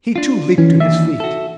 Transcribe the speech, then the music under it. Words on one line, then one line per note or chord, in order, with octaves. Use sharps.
He, too, leapt to his feet.
D4 F4
E3 C#4
D#2 E3 D4 E5
F#4 A4